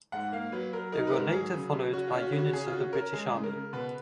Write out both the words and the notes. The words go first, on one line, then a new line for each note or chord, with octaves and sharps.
They were later followed by units of the British Army.
G#2 F#5
A#3 F5
F#3 B4
F#3 A#4
D#4 A#4
B4
G#2 A#4
F#3 G#4
C#3
C#3
C#4 F#4
F4
C#4
F#4
C#3
F#4
C#4 G#4
F4
C#4 F#4
C#4 A#4
G#3 G#4
C#3
A#4
C#3
B2 B4